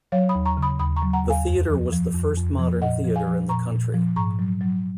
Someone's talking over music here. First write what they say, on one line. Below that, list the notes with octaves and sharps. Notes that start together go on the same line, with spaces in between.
The theater was the first modern theater in the country.
F#3 C#5 F5
B5 D#6
D#2
A#5 C#6
C#3
B5 D#6
D#2 B5 D#6
A#5 C#6
F#3
F#5 A#5
D#2
F5 G#5
F2
F3
F3
F2
F2
F3
A#2 D#5 F#5
F3
F5 G#5
F3
A#2 A#5 C#6
A#2
F3
G#2 A#5 C#6
F#3
F#3